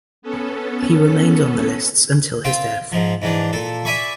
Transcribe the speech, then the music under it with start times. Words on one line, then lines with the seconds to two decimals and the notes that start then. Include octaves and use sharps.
He remained on the lists until his death.
0.22 B3 C#4 A4
2.44 C4 F4 G5
2.92 G#2 F3
3.22 G#2 E3 D4
3.53 A#2 A4
3.85 D5 E5 G#5 B5 C#6